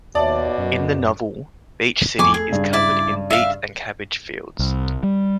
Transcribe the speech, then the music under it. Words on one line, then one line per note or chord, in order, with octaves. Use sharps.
In the novel, Beach City is covered in beet and cabbage fields.
D#2 B2 C#5 D5 E5 A5
F#2
F2 G#5 C#6 D6
A3 G#4
G2 C#3
E4 D5
E5 F5
C2
G3